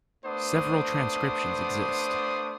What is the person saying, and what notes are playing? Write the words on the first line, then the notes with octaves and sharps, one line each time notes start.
Several transcriptions exist.
A3 B3 D4 C5 D6 D#6